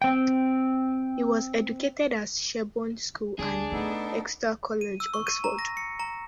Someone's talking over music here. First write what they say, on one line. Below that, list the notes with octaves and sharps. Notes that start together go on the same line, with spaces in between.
He was educated at Sherborne School and Exeter College, Oxford.
C4 G5
D2 D4 G#4
A3 B3 D#4 A4
D#7
E6
C#6
D#7
A#5
A#6
C#7
A#5